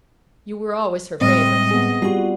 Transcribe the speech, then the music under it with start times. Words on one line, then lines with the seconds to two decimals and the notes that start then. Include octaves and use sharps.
You were always her favourite.
1.21 A2 G3 G#3 C4 D#5
1.71 B3 G#4
2.02 G3 F4 F#4 G#4